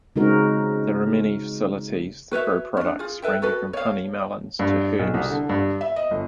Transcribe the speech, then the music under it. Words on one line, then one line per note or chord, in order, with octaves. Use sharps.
There are many facilities that grow products ranging from honey melons to herbs.
C#3 G#3 C4 D#4 F#4 A#4
F#4 B4 C#5 E5
C#4 D4
F4 G#4
A4 B4 E5 G5
F#4 A4 B4
C#5 F5
G2
B1
C2
D3
G2
E5
D#5
G1